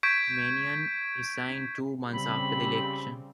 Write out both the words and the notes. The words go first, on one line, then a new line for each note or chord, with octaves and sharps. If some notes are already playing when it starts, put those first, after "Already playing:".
Manion resigned two months after the election.
C#6 G6 G#6 B6 D7
C#3 G3 C4 B5